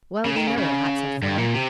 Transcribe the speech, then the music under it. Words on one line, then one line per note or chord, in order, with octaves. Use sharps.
"Well, we know all that," said Foyle.
C#3
D#3
C#3
C#3
G2
A#2
C3